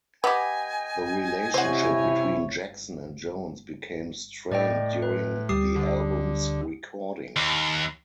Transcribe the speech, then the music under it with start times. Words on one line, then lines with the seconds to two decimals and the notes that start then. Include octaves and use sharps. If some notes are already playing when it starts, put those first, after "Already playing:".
The relationship between Jackson and Jones became strained during the album's recording.
0.24 B3 G4 D#5 G5 G#5
1.54 C3 E4 C5 C#5 F#5
4.52 A2 D5 D#5 G5
5.02 B4
5.49 D2 G3 G4 D#6 C7
5.76 D3
7.36 D#2